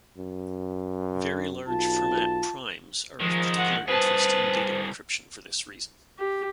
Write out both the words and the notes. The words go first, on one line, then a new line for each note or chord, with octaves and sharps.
Very large Fermat primes are of particular interest in data encryption for this reason.
F#2
B1 F4 A5
D#3 F3 G#3
F#5
C2 G#4 B4 C5 A5
G4